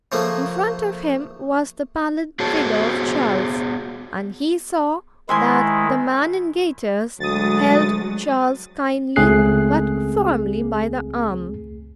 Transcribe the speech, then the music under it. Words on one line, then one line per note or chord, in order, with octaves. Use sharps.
In front of him was the pallid figure of Charles, and he saw that the man in gaiters held Charles kindly but firmly by the arm.
C#3 F3 A3 A#3
B3 F#4 G#4 C5 C#5 A5
D#3 G#3 E4 C5 G#5 C6
D2 F#3 G#3 D#6 A6
C#2 A3 C4 G#4 F#6 C7